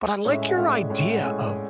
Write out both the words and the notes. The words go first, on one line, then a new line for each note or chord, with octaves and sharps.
But I like your idea of
A2 G#3 C#4 C#5
E5
G#5
F#5
A2 G#3 C#4 E5
D5
A2 G#3 C#4 C#5
E5
F#5
A2 G#3 C#4 G#5